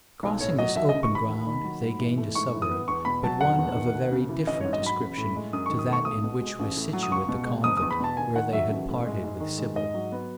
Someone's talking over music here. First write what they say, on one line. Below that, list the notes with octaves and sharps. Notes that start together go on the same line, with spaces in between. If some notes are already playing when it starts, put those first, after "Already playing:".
Crossing this open ground they gained a suburb, but one of a very different description to that in which was situate the convent where they had parted with Sybil.
B1
A2 C#5
F#3 D#5
D#2 E5
D#5
C#3
C#6
E3 B5
D#2
D#3
F#3
G#2
E3
A3
G#2 C#6
E3
D#6
B3
E2 C#6
B2 B5
F#3 A5
E1 F#5
E2
D#3
D#2
C#3
E3
A1 D#5
G#2 C#5
D#5
F#3 B5
A1
A2
G#3
F#2 D#6
D#3 C#6
D#6
A3 C#6
B1 D#6
B2
G#3
A1
A2
F#3
D#6
C#2 C#6
B2
G#3
F#1 D#6
D#6
E2
B5
B2 A5
D#2 G#5
D#3 F#5
F#3 E5
A1
A2
G#3
G#2
D#3
G#3
G#2 D#5
F#3
B3